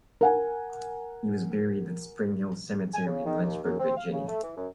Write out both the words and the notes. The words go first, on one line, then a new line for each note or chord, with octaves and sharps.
He was buried at Spring Hill Cemetery in Lynchburg, Virginia.
A#4 F#5 G#5
G#5
C#3
D#3
D#2
F#2
C4
F5
C#3
A3
E3
F#2